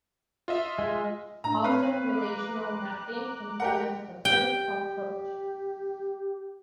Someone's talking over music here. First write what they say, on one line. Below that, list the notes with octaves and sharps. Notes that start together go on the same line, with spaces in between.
Object-relational mapping implements the first approach.
F4 D#5 E5
G#3
A2 D4 A#5
C4 B4 C#5 F5
A#5 D6 F#6
G4 A#4 F#5
G4 G5